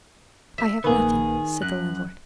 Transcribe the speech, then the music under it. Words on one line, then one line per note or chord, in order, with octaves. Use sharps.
"I have nothing," said the landlord.
E5
A#1 D#3 A#3 G#4 B4
F#2 F#6